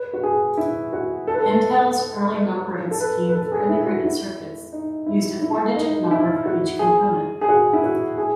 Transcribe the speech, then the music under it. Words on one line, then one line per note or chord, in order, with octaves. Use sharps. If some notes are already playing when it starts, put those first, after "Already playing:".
Intel's early numbering scheme for integrated circuits used a four-digit number for each component.
Already playing: B4
F#4
G#4
E4
F#4
A4
B4
A4
A4
B4
B4
A4
G#4
E4
F#4
E4
D#4
E4
E4
D#4
E4
F#4
G#4
G#4
F#4
E4
F#4
G#4